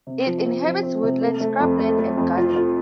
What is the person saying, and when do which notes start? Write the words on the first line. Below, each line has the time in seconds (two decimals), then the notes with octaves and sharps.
It inhabits woodland, scrubland and gardens.
0.07 C3
0.26 F3
0.46 C4
0.65 F3
0.83 C4
1.03 C3
1.21 A3
1.41 A3
1.60 F2
1.79 A3
1.99 A3
2.18 F2
2.37 F4
2.56 F4